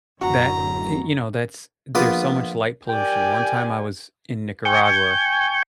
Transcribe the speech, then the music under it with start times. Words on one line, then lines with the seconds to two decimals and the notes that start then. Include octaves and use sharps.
That, y you know, that's there's so much light pollution. One time I was in Nicaragua,
0.21 D1 F#2 F#4 A#5
1.95 A#1 B3 F4 B4 D6 D#6
2.89 G4 A#4 D5 G5 G#5
4.65 G5 G#5 C#6 G6